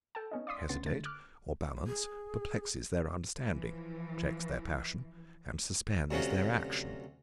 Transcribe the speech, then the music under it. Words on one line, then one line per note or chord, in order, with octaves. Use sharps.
To hesitate or balance perplexes their understanding, checks their passion, and suspends their action.
A4 G5 A5
B3 C#4 D#4
D5 F5 C6 D#6 B6
D2 C#3 B3 C6 A6
D3 A3 A6
D6 F6 F#6
G#4
E3 F3
D2 C3 F#3 C#4 F4 F#4